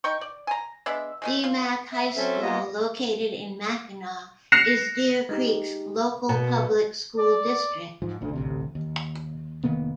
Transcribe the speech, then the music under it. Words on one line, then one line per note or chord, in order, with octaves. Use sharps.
Dee-Mack High school, located in Mackinaw, is Deer Creek's local public school district.
D#4 G5 C#6
D5
G#5 A#5
G#3 B3 D4 E5
G#3 A3 C#4
F4
E5
F#3 C4 C#4 A4 E5
G#3 A#3 B3 F4 D#5
F#6 A#6 C7 C#7 E7 F7
G#3 D#4 G4
B2 F#5 A5
D5
G#2 F3
G1 D2 D3
A1 D2 C3
D#2
F1 D#3 A#3 B3